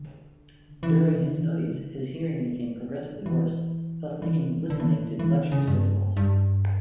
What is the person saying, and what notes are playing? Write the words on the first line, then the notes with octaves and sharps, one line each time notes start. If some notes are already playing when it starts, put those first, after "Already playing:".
During his studies, his hearing became progressively worse, thus making listening to lectures difficult.
Already playing: D3
E3
D3
E3
C#3
D3
E3
E3
D3
E3
D3
E3
D3
C#3
G2
G2